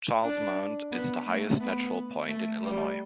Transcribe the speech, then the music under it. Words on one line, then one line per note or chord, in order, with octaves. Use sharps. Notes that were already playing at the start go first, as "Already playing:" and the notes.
Charles Mound is the highest natural point in Illinois.
D4
B3
A3
B3
A3
G3